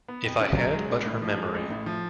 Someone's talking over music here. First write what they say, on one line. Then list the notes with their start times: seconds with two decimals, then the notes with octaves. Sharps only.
If I had but her memory!
0.08 B3
0.25 F2
0.40 C#3
0.57 F#3
0.73 G#3
0.90 A1
1.06 A2
1.22 F3
1.38 G#3
1.54 A1
1.70 A2
1.86 F3